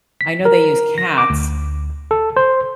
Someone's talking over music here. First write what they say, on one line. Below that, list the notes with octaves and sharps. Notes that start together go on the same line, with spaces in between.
I know they use cats,
B6
A#4
A#6
D6
D2
A4
C5